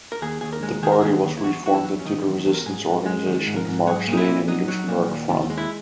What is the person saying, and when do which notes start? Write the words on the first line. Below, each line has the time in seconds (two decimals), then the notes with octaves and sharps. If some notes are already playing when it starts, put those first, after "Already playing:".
The party was reformed into the resistance organization Marx-Lenin-Luxemburg Front.
0.12 A#4
0.22 D#2 G#4
0.41 D#2 G#4
0.53 A#4
0.63 G#3
0.82 D#3 G#4
0.92 A#4
1.01 D#2 G#4
1.24 D#2
1.37 E4
1.44 E2 F#4
1.64 E2 F#4
1.74 E4
1.84 F#3
1.99 C#4
2.05 D#3 D#4
2.25 E2
2.45 E2
2.54 A#4
2.65 G#2 G#4
2.86 G#2
3.06 G#3
3.26 D#3
3.47 G#2
3.56 A#4
3.67 G#2
3.87 F#3 G#4
4.07 A#2
4.13 D#4
4.17 E4
4.28 A#2
4.48 F#3 D#4
4.68 F#3
4.88 A#2
5.09 D#2
5.29 D#2
5.50 G#3
5.58 E4